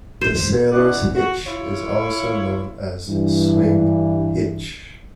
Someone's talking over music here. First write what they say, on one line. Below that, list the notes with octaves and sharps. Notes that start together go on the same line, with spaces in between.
The sailor's hitch is also known as swing hitch.
C5
D2 C#3 E4 B4 D5 F#5
F#4
E4 F4 C#5
G2 E3